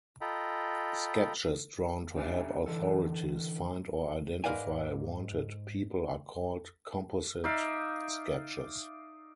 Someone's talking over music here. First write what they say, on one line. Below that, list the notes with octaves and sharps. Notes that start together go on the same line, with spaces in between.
Sketches drawn to help authorities find or identify wanted people are called composite sketches.
F4 A4 D#5 G5 A#5 B5
C#4 D4 G4 D5 E5 G#5
D3 E3 A4
G#2 A#4 B4 D5 F5 G#5
D#4 D5 E5 F5